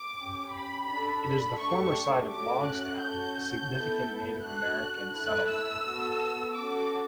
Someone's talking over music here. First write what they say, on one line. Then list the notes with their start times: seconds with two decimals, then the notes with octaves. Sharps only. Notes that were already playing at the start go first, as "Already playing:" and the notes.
It is the former site of Logstown, a significant Native American settlement.
Already playing: D6
0.17 C#4 G4
0.52 B5
0.87 D4 A4 B5
1.24 B5
1.58 A3 D4 G4 C#6
2.30 A3 C#4 F#4 D6
2.65 F#6
3.00 C#4 F#4 A4 G6
3.71 B3 E4 A4
4.42 D4 F#4 A4 F#6
5.13 A3 E4 A4 F#6
5.48 E6
5.84 B3 F#4 A4
6.54 C#4 F#4 A4 D6